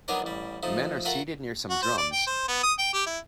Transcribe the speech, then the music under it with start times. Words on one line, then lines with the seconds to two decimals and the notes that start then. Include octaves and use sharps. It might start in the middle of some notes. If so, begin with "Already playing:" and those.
Men are seated near some drums.
0.08 F#3 B3 D4 D#4 A#4 D5
0.22 A1 G3
0.63 F3 A3 D#4
1.05 F4 F#4 A4 A#4 E5 F#5
1.70 F#4
1.82 C5
1.98 D5
2.13 G5
2.27 C5
2.48 B3
2.63 D#6
2.79 G5
2.94 G4
3.06 E4